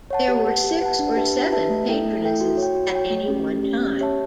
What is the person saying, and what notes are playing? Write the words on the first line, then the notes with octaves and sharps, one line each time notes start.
There were six or seven Patronesses at any one time.
C#5 F#5 A5
G4
B4 F#5 A5
G4
B4 F#5 A5
D4
G4 B4 E5 A5
D4
G4 B4 E5 A5
A3
E4 A4 E5 G5
A3
E4 A4 E5 G5
F#4
C#5
G5
F#4
C#5 G5
A3
C#4 G4
A3
C#4 G4
C#4
G4 C#5 E5 A5